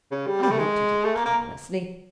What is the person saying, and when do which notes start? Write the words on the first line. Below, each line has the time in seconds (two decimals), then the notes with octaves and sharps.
I looked at it carelessly.
0.11 C#3
0.27 G3
0.42 G3
0.52 A3
0.58 G#3
1.04 A3
1.15 A#3
1.26 A#3